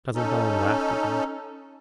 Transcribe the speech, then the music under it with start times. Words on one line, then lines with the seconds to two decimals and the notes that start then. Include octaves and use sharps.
Cousin Helen laughed again.
0.15 C#4 D#4 A4